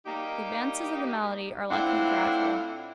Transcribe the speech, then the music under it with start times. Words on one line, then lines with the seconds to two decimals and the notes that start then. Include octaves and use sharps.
The advances of the malady are, luckily, gradual.
0.06 G3 A#3 D#4 G4
1.70 A2 C4 D4 E4 F4 F#5